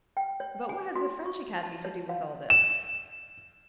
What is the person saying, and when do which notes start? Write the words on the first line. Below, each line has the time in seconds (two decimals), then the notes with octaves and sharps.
"But what has the French Academy to do with all this?"
0.17 G5
0.40 C#5
0.69 G#5
0.95 F#4
1.26 C#6
1.63 A5
1.85 C#5
2.09 F5
2.50 E7